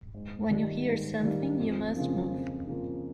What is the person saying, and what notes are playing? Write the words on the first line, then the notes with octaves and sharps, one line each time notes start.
When you hear something, you must move.
G#2
D#3 G3 A#3 D#4
G#2
D#3 G3 A#3 D#4
F2
C#3 F3 A#3
F2
C#3 F3 A#3